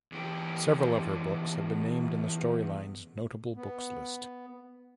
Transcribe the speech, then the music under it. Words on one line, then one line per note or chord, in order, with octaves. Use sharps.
Several of her books have been named in the Storylines Notable Books List.
E2 G4
B3